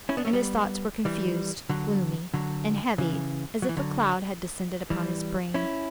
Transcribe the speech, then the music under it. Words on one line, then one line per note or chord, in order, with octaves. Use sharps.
And his thoughts were confused, gloomy, and heavy as if a cloud had descended upon his brain.
C#4 E4
B3 D4
A3 C#4
G3 B3
E3 G3
D3 F#3
D3 F#3
C#3 E3
F#3
E3
D3 F#3
E3 G3
C#4 E4